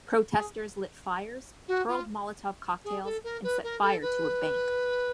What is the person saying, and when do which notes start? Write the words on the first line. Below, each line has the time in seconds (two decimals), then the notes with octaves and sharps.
Protesters lit fires, hurled Molotov cocktails, and set fire to a bank.
0.32 G#4
1.68 F#4
1.88 F4
2.84 G#4
3.03 A4
3.23 A#4
3.43 B4
3.63 A#4
3.82 A4
4.01 B4